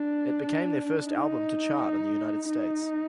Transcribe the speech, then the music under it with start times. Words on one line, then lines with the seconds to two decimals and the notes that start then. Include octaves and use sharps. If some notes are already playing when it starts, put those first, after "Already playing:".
It became their first album to chart in the United States.
Already playing: D4
1.08 D#4
2.50 D#4